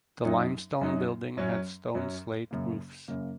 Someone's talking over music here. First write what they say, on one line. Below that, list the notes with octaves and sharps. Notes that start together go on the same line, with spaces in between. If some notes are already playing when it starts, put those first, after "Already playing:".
The limestone building had stone slate roofs.
F#2 F#3 D#4
F#2 F#3 D#4
F#2 F#3 C#4
F#2 F#3 C#4
F#2 C#3 A#3
F#2 C#3 A#3